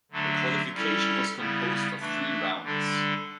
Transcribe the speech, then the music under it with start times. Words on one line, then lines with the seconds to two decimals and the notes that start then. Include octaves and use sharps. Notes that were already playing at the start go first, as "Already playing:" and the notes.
The qualification was composed of three rounds.
0.11 D3 F#3 A3 D4
0.74 G3 C#4 E4 A4
1.37 C#3 G3 B3 E4
2.00 E3 A3 D4
2.64 D3 G3 D4 A4